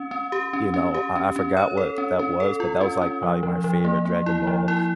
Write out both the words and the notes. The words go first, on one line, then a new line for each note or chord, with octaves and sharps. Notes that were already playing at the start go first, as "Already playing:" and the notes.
you know, I I forgot what that was, but that was, like, probably my favorite Dragon Ball,
Already playing: C#4
C#4
G4
C#4
C#4
G4
C#4
C#4
C#5
A4
C#4
C#4
A4
F4
C#4
C#4
F3
F3
F3
A#3
A#3
E4
F3
E4